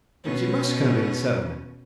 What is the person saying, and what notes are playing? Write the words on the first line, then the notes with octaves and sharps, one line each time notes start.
But you must come to the Settlement.
B2 C#4